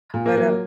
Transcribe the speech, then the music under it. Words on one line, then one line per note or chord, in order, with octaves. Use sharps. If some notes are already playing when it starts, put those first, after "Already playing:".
but uh
A#2
A#3
F#3